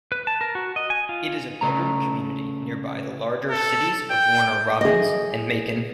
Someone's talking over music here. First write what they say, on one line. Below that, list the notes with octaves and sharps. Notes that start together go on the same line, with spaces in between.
It is a bedroom community nearby the larger cities of Warner Robins and Macon.
B4
A5
A#4
F#4
D#5
G#5
F4
C#3 A3 A#5
A4
G5
G#4 D#5